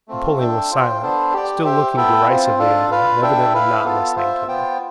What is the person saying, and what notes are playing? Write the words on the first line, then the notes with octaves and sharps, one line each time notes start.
Napoleon was silent, still looking derisively at him and evidently not listening to him.
A3 C4 F4
D4 A4 E5 G5
F4 C5 G5
B3 D4 A4 C5
G4 D5 G5
G4 C5 E5 G5
B3 E4 A4 E5 G5
C4 F4 C5
D4 F4 A4
F4 B4 F5
D4 A4 E5 G5
E4 B4 F5
B3 F4 A4
F4 C5 E5
B3 F4 C5 G5